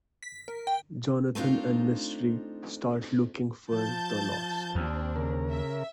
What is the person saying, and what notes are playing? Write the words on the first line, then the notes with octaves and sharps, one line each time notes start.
Jonathan and Mystery start looking for "The lost".
B6
A#4
G5
A3 C4 D4 D#4 F4
F3 A5 G6 A6
D#2 C4 D4
C#3 A#4
E5